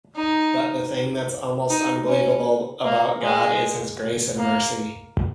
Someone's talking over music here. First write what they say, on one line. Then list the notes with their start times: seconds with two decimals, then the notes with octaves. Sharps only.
But the thing that's almost unbelievable about God is His grace and mercy.
0.16 D#4
1.70 D#4
2.08 C#4
2.85 A#3
3.23 G#3
4.38 A#3